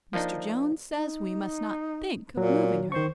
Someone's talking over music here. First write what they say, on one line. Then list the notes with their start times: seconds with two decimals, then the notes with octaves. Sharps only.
Mr. Jones says we must not think of moving her.
0.13 F3 A#3 D4 D#4
0.93 D#4
2.37 A#2 F#3
2.92 D#3 C5 C#6